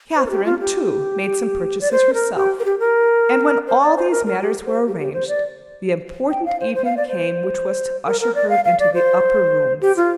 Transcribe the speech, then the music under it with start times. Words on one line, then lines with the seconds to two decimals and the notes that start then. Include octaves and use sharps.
Catherine too made some purchases herself, and when all these matters were arranged, the important evening came which was to usher her into the Upper Rooms.
0.16 C5
0.26 A#4
0.30 G4
0.45 F4
0.60 G4
1.81 D5
1.91 C5
2.14 A#4
2.35 G4
2.59 A#4
2.65 G4
2.79 A#4
3.68 C5
3.81 D5
3.97 C5
4.11 A#4
4.26 A#4
4.40 G4
4.66 C5
4.87 G4
4.94 A#4
4.99 G4
5.13 C5
5.28 D5
6.30 G5
6.45 F5
6.60 C5
6.75 C5
6.85 F5
6.97 D5
7.08 C5
8.06 A#4
8.21 A#4
8.35 D5
8.50 F5
8.65 F5
8.79 D5
8.94 C5
9.81 G4
9.97 F4